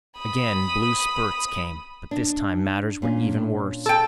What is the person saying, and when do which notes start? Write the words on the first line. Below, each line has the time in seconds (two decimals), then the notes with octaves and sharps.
Again blue spurts came, but this time matters were even worse.
0.18 B5 D#6
2.11 D4
3.02 A#2 C#4 D4
3.86 A4 G5